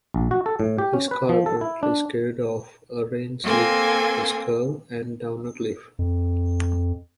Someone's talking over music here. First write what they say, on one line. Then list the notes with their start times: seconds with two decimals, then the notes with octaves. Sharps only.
His car apparently skidded off a rain-slicked S-curve and down a cliff.
0.14 A#1
0.31 F#4
0.46 A4
0.60 A2
0.78 G4
0.93 C#4
1.11 B4
1.29 F3
1.46 A4
1.61 E4
1.83 D4
3.43 A#3 C4 A4 G#5 C6
5.99 F2